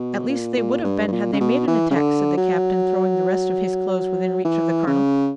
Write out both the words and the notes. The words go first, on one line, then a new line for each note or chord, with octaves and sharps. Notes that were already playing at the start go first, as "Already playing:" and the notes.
"At least they would have been, had they made an attack," said the captain, throwing the rest of his clothes within reach of the colonel.
Already playing: B2
A#2
A#2
G2
G2
A#2
C#3
B2
E3
C#3
D3
F#3
E3
C#3